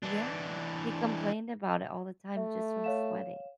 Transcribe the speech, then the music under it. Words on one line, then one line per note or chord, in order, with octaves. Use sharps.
Yeah. He complained about it all the time just from sweating.
E3 D4
A3 E5
C#5 F5 E7